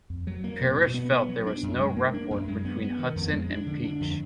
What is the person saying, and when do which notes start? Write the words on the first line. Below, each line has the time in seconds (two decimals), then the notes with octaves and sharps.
Pirosh felt there was no rapport between Hudson and Peach.
0.10 F2
0.27 F#3
0.44 A#3
0.61 B2
0.78 B2
0.94 B3
1.12 B3
1.29 F#3
1.46 D4
1.63 F#2
1.80 G#3
1.97 A#3
2.14 D4
2.31 F#2
2.48 G#3
2.65 B3
2.82 B3
2.99 D#3
3.16 F2
3.33 G#3
3.50 D4
3.67 D3
3.84 D4
4.00 F2